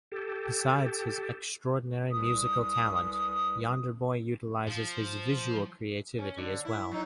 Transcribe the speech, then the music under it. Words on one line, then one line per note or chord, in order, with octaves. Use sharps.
Besides his extraordinary musical talent Yonderboi utilizes his visual creativity as well.
G4 A4
C2 B4 D#6
F3
C#4
D3
E4
F#3 D#4